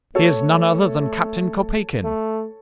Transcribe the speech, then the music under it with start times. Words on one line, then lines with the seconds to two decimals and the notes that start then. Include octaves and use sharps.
"He is none other than Captain Kopeikin."
0.15 A3 A4 C#5
2.04 A3